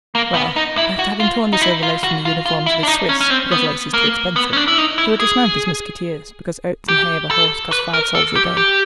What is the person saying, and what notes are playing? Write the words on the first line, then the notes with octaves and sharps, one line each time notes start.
"Well, after having torn the silver lace from the uniforms of his Swiss, because lace is too expensive, he will dismount his musketeers, because oats and hay of a horse cost five sols a day."
A#3
B3
D#4
E4
F#4
F4
D#4
E4
F4
F#4
F4
F4
E4
D4
D#4
C#4
C#4
C4
B3
A#3
B3
C#4
D4
E4
D#4
E4
G#4
G4
A4
B4
A#4
A4
G4
G4